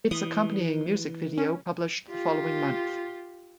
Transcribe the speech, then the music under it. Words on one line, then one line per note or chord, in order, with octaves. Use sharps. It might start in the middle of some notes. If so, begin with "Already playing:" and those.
Its accompanying music video published the following month.
E3 D#6
C#4
F4 G4